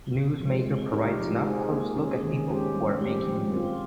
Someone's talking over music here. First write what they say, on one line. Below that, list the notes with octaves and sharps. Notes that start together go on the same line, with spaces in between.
"Newsmaker" provides an up-close look at people who are making news.
C3
F3 G#3
G#3
D#4 G4 A#4
F3
G#3 D#4 G#4 C5
A#3
C#4 G#4
D#3
G#3 C#4 G4 C5
G3
C4 G4
F3
C4 F4